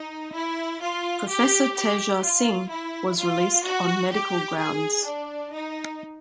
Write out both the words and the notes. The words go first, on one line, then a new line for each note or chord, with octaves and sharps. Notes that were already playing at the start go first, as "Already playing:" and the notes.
Professor Teja Singh was released on medical grounds.
Already playing: D#4
E4
F4
G4
G4
F4
E4
F4
F#4
G4
G#4
D4
D#4